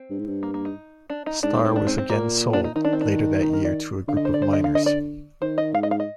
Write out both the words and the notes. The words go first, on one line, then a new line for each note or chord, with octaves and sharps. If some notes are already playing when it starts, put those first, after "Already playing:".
Star was again sold later that year to a group of miners.
Already playing: C4
G2
G#2
G2
A#3
A#3
D#4
D4
D#4
G#2 D4
C4
C4
D4
C4
C4
A#2 A#3
D4
D#4
D#3 D#4
D4
C4
D4
D#4
A#4
D5
D3 F5
D#5
C5
D5
C5
D#5
F5
D#5
D5
D#3 C5
D#5
G#2 F5
D#5
F5
D#5